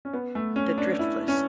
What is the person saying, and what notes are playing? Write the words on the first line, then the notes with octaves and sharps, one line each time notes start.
the Driftless
C#4
B3
A3
C#4
D4
E4
C#4